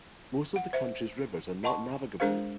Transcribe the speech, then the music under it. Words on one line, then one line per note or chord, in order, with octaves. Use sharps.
Most of the country's rivers are not navigable.
F#5
C5 E5
D#5 F#5 A5 C6 C#6
G#3 D4 G#4 A#4 C5 F5